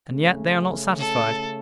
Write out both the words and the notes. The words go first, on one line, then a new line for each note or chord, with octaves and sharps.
And yet they are not satisfied.
C#3 A3 C#4
A4